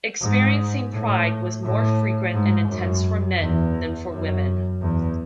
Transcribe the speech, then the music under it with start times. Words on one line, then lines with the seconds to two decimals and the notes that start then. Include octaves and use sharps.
Experiencing pride was more frequent and intense for men than for women.
0.21 G#2
0.93 A2
1.63 A2
2.34 G#2
2.69 F#2
3.40 E2
4.11 F#2
4.81 E2